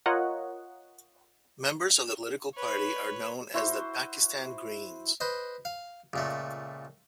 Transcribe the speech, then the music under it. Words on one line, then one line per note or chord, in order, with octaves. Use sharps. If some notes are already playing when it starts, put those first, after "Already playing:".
Members of the political party are known as the "Pakistan Greens".
F4 A#4 C#5 D#5 F#5
B4 C#5
E4 F#4 C5
B4 C5 D#5
F5
C#2 A#2 A3